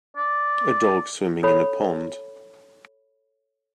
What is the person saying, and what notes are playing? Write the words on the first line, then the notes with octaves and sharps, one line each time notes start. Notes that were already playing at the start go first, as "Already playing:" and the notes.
A dog swimming in a pond.
D5
A4 C#5 B5